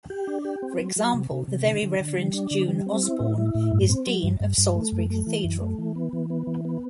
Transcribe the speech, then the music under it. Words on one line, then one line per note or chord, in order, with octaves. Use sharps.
For example, the Very Reverend June Osborne is Dean of Salisbury Cathedral.
G4
D4
G4
C4
F#3
F#3
C3
C3
C3
D3
D3
D3
G3
D4
D3
G3
C4
E4
A2
E4
A2
G2
C4
F#3
G2
G2
G2
A3
F#2
A3
E3
F#2
A3
E3
B3
E3
B3
E3
B3